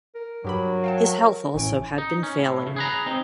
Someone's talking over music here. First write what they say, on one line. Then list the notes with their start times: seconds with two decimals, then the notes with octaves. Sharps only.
His health also had been failing.
0.15 A#4
0.45 G2 F#3 G4 B5
0.84 F5 G5 A5
1.55 A1 A2 C#4 D7
1.98 D#4
2.23 C#4
2.38 A2
2.62 E2 C#3
2.76 G#4 B4 A#5
3.06 C4 D#4